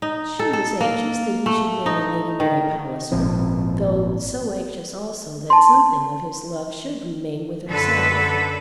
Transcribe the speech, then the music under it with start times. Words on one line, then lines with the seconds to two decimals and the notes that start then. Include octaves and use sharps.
She was anxious that he should marry Lady Mary Palliser, though so anxious also that something of his love should remain with herself!
0.02 D#4
0.39 A4
0.53 A4
0.81 A#3
1.46 A3
1.86 D#4
2.40 D#3
3.12 G#1 A#2 F3 C4
5.50 A5 C6
7.68 F#2 D3 A4 B4